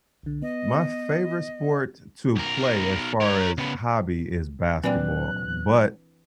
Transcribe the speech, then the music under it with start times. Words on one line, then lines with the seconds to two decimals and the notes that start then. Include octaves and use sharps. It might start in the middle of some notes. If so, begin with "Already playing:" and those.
My favorite sport to play, as far as hobby, is basketball, but
0.23 B1 D3
0.42 B3 D#5
2.36 B1 A#4
3.20 A#4 C#5
3.58 C#3 B3
4.84 A#2 E3 F#3 C4 D4 D5 G5 F#6